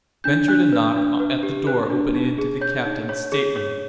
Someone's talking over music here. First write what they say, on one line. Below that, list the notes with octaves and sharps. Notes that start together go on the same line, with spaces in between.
I ventured a knock at the door opening into the captain's stateroom.
D4 G6
D4 F#6
B4
D4
B4
G4
B4 F#6
D4
D#4
G#4
C#5 G6
D#4
C#5
G#4
C#5